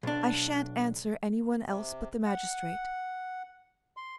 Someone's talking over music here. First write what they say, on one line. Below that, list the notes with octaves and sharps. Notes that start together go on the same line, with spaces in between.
I shan't answer any one else but the magistrate.
B1 D4
C3
F#5
C6